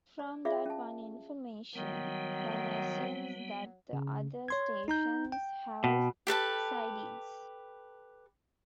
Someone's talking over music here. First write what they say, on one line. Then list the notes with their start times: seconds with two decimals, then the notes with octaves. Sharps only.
From that one information, one assumes that the other stations have sidings.
0.19 D5
0.45 F4 G#4 C5 D5 E5 F5
0.66 C#4 A5
1.75 D#3 F#3 G3 B3
3.93 C#3
4.48 C#5 C6 G#6
4.88 D#4 A#5 G6
5.32 G5
5.84 B2
6.27 G4 A4 B4 A5